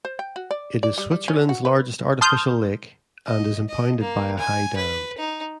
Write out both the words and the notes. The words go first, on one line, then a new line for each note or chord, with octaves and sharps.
It is Switzerland's largest artificial lake, and is impounded by a high dam.
C5
G5
F#4
D5
D5
G3
G3
C#4
F#4
B4
A5 C6 D#6 F6 G6
D#5
D#5
A#3
G#5
B4
D#4